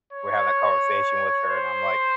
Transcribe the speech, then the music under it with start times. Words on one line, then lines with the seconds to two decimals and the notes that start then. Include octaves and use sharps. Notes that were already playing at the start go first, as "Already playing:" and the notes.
we had that conversation with her and I'm like,
0.13 C#5
1.50 C5